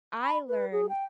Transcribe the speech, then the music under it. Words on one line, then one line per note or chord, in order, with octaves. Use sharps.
I learned
B5
B4
G#4
G5